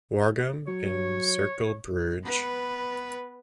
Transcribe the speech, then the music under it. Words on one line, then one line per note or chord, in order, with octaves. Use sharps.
Waregem and Cercle Brugge.
F#3 C#5
B3 B4